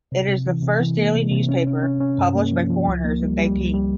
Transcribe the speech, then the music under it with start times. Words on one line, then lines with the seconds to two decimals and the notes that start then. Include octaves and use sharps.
It is the first daily newspaper published by foreigners in Beiping.
0.12 C3
0.28 C3
0.46 E3
0.63 C3
0.80 E3
0.97 A#3
1.15 C3
1.31 C3
1.49 C#4
1.67 C#4
1.83 C#4
2.00 C#4
2.18 G2
2.35 A#3
2.52 F3
2.70 F3
2.88 C#2
3.04 A#3
3.22 G3
3.39 G3
3.55 C#2
3.74 G3